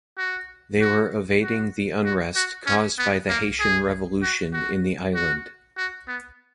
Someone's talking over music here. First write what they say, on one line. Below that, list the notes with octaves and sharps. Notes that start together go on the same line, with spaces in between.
They were evading the unrest caused by the Haitian Revolution in the island.
F#4
F#4
F#4
F#4
F#4
C#4
B3
A#3
G#4
F#4
F#4
F#4
F#4
B3